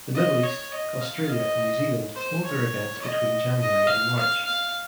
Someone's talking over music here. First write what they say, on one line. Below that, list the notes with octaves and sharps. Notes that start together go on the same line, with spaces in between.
The Middle East, Australia and New Zealand hold their events between January and March.
D#5
C#5
D#5
F5
D#5
C5
C#5
D#5
D#5
F5
F5
F5